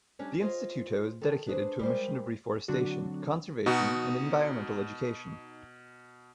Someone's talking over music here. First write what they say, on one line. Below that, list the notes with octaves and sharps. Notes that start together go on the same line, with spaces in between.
The Instituto is dedicated to a mission of reforestation, conservation and environmental education.
G3 C#4 D4 C#5
F4 G#4 C5 C#5 D#5
D#3 A4
D4 E4 G#4 A4 B4 C5
G3 G#3 G4 A4 A#4 C5
D3 F#3 C4 D4 F#4
B2 D#4 F#4